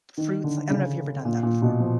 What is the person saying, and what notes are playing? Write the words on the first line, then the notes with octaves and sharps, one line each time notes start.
fruits li I don't know if you've ever done that before.
D#3
D3
C#3
A#2
A#2
B2
F3